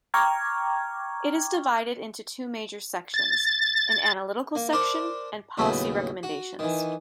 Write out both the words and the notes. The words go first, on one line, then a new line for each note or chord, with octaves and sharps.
It is divided into two major sections: an analytical section and policy recommendations.
G5 A#5 C#6 D6 F6 G#6
A6
A#3
D4 A#4 C5 D5
D#2 A2 C#3 F#3 B3
F#4
D#3 E3